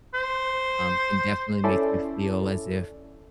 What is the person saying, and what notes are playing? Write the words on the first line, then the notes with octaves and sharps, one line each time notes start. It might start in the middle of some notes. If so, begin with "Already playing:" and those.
um, can definitely make you feel as if,
C5
C#4 E4 A4 D5